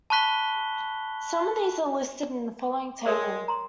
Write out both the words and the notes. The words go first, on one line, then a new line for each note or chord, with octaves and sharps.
Some of these are listed in the following table.
A5 B5 C#6 F#6 B6 G7
G#3 A#4 C#5
G5
A#5 C6